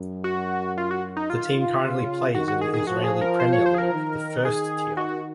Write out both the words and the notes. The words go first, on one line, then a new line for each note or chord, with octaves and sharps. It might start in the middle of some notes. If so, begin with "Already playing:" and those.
The team currently plays in the Israeli Premier League, the first tier.
Already playing: F#2
F#4
F4
F#4
D#4
D#3 F4
C#3
D#3 F#4
F#4
G#4
G#4
F3 F#4
G#4
A#4
C5
C#5
C5
G#4
A#4
D#3
D#3 G#4
F#4